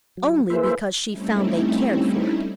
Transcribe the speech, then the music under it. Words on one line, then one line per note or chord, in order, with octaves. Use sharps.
Only because she found they cared for it.
F#3
A#3 E4 G#4 B4 C5 E5
G3 A3 C4 C#4 D#4 E4